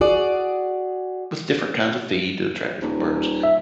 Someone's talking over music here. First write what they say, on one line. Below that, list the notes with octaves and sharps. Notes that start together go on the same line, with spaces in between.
With different kinds of feed to attract different birds
F#4 G#4 D5
D#1
E5